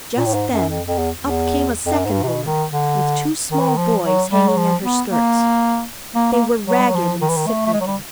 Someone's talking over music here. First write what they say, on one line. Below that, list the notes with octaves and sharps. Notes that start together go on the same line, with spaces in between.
Just then up came a second woman with two small boys hanging at her skirts. They were ragged and sick-looking.
A#2
A2
G#2
F#2
F2
F2
E2
E2
F2
F#2
G#2
G2
C3
B2
D#3
D3
D#3
E3
D#3
F3
F#3
G3
F#3
F3
B3
A#3
A#3
A#3
F#3
G3
F#3
F3
D#3
E3
D#3
A3
A3
G#3
F#3
G3